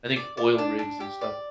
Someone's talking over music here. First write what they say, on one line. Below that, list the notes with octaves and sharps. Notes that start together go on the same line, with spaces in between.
I think oil rigs and stuff,
D5
D5
D4
D4
G4
D5